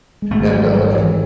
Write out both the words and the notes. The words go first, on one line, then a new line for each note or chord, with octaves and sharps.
and, uh, f
G#3
G#1 A3
G#3
G#1 G3
G#2 F#3
G#1 E3